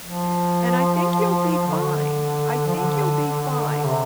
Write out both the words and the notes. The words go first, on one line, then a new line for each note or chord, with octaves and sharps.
And I think you'll be fine. I think you'll be fine.
F3
D3
F3
D3
C3